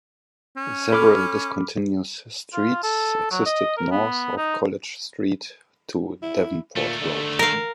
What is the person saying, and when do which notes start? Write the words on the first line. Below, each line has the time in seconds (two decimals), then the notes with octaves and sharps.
Several discontinuous streets existed north of College Street to Davenport Road.
0.56 C#4
0.92 A4 B5 D6 F6
2.53 F4
2.83 A4
3.31 F#3
3.46 D#5
3.77 A#4
3.91 B3
4.37 D#4
6.23 E4
6.76 A#2 D#3 A3
7.01 D3
7.39 A#4 F5